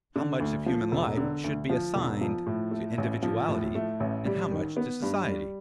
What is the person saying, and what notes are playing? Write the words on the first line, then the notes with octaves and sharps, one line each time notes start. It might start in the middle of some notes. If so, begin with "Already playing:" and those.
How much of human life should be assigned to individuality, and how much to society?
D3
D2
F3
E1
D3
D2
F3
E1
F3
A2
A3
A1
F3
A2
A3
A1
G3
D#3
B3
G2
G3